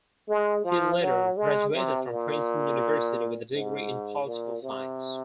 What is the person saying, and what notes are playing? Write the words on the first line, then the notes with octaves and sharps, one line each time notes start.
He later graduated from Princeton University with a degree in political science.
G#3
F3
F#3
G#3
C3
A#2
G#2
A#2
C3